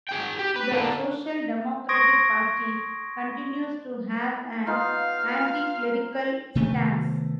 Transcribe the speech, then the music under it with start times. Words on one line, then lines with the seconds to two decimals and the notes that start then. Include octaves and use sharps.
The Social Democratic Party continues to have an anticlerical stance.
0.09 G#4 G5
0.39 G4
0.56 B4
0.71 D3 A#3
1.89 C6 C#6 D#6 G#6 A#6 D7
4.67 B3 D#4 F4 F5
6.55 C3 D#3 A3 B3